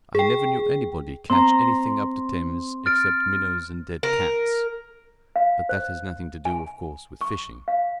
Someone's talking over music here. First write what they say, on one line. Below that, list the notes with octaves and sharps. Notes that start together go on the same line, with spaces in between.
I never knew anybody catch anything, up the Thames, except minnows and dead cats, but that has nothing to do, of course, with fishing!
G#4 G5
C4 A#5 C6
F6 A6 D7
A#4
F5
C5
G#5
C#6
F5